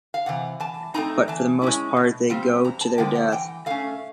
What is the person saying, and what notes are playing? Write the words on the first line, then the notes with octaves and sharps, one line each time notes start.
But for the most part they go to their death.
F5
C3 E3 F#5
E3 A5
A3 C4 D#4 A#5
E3 A5
G#3 C#4 E4
B2
G3 C4 F4
F2 A#5
A5
D3 F3 G#3 B3 G5
F#5
E3 G5
A3 C#4 F5